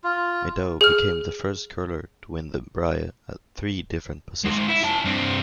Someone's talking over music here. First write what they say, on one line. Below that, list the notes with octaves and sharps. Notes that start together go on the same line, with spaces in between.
Middaugh became the first curler to win the Brier at three different positions.
F4
G#4 F6
G#3 C4
E4
C#4 A5
G2 C4